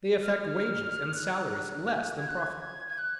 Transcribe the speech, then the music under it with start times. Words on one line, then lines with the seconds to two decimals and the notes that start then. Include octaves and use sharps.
They affect wages and salaries less than profits.
0.23 F6
1.15 F#6
2.18 G#6
2.28 F#6
2.41 G#6
2.87 G#6
2.98 F#6